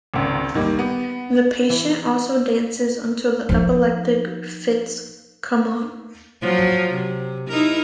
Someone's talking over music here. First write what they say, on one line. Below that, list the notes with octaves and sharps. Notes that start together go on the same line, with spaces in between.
The patient also dances until the epileptic fits come on.
G#1 C#2
D#3 G3 A#3 D#4
B3
E3
F3 D#4
F3 F#3
C3
D#4 E4 A#4